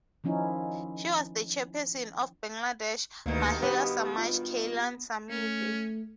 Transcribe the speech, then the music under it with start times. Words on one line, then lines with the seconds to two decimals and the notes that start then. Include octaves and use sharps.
She was the Chairperson of Bangladesh Mahila Samaj Kalyan Samiti.
0.24 D#3 F3 C#4 D#4 E4
3.26 D2 G2 B2 D#3 A#3
3.63 B3 G4
4.18 F4
5.30 A3 C#4